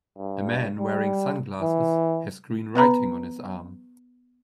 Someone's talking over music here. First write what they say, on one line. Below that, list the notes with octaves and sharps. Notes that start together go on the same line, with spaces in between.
A man wearing sunglasses has green writing on his arm.
G2
G3
E3
B3 B4 A#5 B5